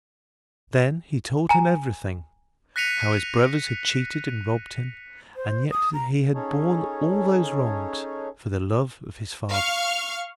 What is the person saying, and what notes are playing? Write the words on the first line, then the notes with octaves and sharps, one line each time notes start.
Then he told him everything; how his brothers had cheated and robbed him, and yet that he had borne all those wrongs for the love of his father.
G#5 A#5
F#6 A#6 B6 C#7 D#7 F7
C5
D#6
A#5
C#4 D#4 G#4 A4 C#5
F5 C#6 F6